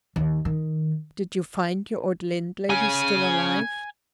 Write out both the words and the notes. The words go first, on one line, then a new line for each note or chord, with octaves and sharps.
"Did you find your old landlady still alive?"
D#2
D#3
C#3 C#4 G#5